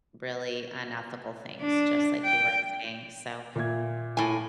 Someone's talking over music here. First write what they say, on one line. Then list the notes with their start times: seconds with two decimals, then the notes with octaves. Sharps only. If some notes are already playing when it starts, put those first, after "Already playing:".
really unethical things, just like you were saying, so
1.62 D4
2.24 G5
3.56 A#2 E5 G#6
4.17 A2 G#5